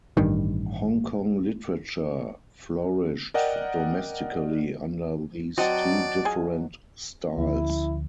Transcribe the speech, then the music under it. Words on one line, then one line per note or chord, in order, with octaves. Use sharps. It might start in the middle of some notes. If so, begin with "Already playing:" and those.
Hong Kong literature flourished domestically under these two different styles.
A1 G2 D#3
A#4 D5 D#5 F#5 G5
F#3 C4 D5 D#5 F#5 A5
F3 G#4 G#5
D2 F3 C#4 E4